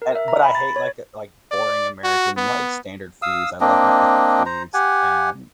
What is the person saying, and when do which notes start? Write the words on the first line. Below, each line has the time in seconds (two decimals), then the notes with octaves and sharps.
an but I hate, like, uh, like, boring American, like standard foods. I love my ethnic foods, and,
0.02 A#4
0.15 E5
0.28 A#5
0.43 B5
0.55 A6
0.76 C#5
1.52 D5
2.04 F#4
2.37 B3
3.22 F5 D#6 E6
3.61 A#3 C4 D4 D#5
4.46 C5 A#5
4.74 G4 F#5 G#5